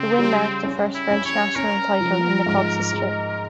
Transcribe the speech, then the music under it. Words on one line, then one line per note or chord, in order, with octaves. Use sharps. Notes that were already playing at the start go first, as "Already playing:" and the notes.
The win marked the first French national title in the club's history.
Already playing: C#3 C4
G3
C#4
E4
C#4
C#5
C#4 A#4
F3
G#2
G#3